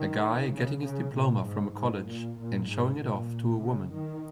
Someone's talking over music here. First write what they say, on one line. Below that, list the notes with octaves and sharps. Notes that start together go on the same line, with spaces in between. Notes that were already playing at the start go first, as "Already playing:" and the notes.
A guy getting his diploma from a college and showing it off to a woman.
Already playing: D#3
C#3
C#3
A#2
G#2
G#2
A#2
A#2
G#2
A#2
C#3
D#3